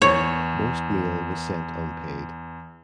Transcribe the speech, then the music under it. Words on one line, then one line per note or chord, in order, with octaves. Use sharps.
Most mail was sent unpaid.
E2 C#5